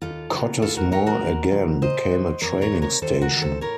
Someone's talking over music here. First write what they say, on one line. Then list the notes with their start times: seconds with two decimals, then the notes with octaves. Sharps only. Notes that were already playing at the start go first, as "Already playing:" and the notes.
Cottesmore again became a training station.
0.02 D#2 F4 A4
0.32 C#3 F#3
0.62 A2 F4 A4
0.77 F#4 A#4
0.92 F#3 A#4 C#5
1.06 F#4 A#4
1.22 D#2
1.52 C#3 F3
1.82 A#2 C5 D#5
2.11 F#3
2.41 F2 A#4 C#5
2.61 A#4 C#5
2.72 C3 F#3
2.82 A#4 C#5
3.02 D#2 A4 C5
3.22 F#4 A#4
3.31 D#3 F#3
3.42 A4 C5
3.61 A2 A#4 C#5